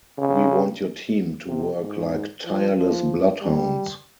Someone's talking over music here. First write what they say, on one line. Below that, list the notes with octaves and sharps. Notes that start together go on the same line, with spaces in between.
We want your team to work like tireless bloodhounds.
C#3
C3
G#2
F3
F3
G3